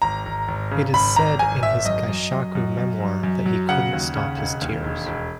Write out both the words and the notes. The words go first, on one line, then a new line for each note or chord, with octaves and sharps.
It is said in his kaishaku memoir that he couldn't stop his tears.
G#1 A#5
G#1
G#1
C#3
G#1 B5
G#1 A#5
G#1 G#5
G#1 E5
F#2 D#5
F#2
F#2
F#2
F#2
F#3
F#2
F#3
C#3 F#5
D#2
C#3
E1
D#2
E1
E1